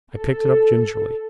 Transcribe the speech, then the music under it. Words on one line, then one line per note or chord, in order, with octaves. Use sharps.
I picked it up gingerly.
A4